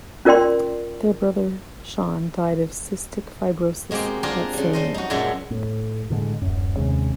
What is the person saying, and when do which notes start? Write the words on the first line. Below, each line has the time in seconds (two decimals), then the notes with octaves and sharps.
Their brother, Sean, died of cystic fibrosis that same year.
0.25 C#4 F4 A#4 D5 G5 C6
3.91 B2 G#3 A#3 C4 G4
4.23 C4 D4 F4 G4 G#4 A#4
4.53 C#3 G3
4.73 G3 C5 D#5
4.94 D#4 F#4
5.10 F#2 A#2 F#3 G#3 E5 A5
5.50 A2
6.10 A2 D3 F3 G#3
6.42 D1 F#2
6.76 D#2 C3 G#3 C#4